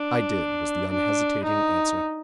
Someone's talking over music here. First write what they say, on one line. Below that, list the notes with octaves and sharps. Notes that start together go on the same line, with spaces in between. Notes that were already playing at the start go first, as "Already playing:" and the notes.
"I did," was the unhesitating answer.
Already playing: D4
D4
D#4